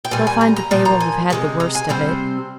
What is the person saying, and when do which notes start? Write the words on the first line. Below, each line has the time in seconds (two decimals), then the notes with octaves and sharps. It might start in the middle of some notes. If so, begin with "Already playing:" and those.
They'll find that they will have had the worst of it.
0.05 G5
0.11 A#2 G3 G#5
0.27 G#5
0.41 A#5
0.56 A#5
0.71 A#2 F3
0.85 A#5
1.00 G#5
1.30 C3 D#3 G#3
1.60 A#5
1.75 G#5
1.89 C3 G3 C4 C5